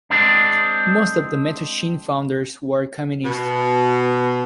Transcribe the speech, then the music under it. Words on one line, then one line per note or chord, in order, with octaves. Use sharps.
Most of the Mattachine founders were communists.
G#3 C4 D4
B2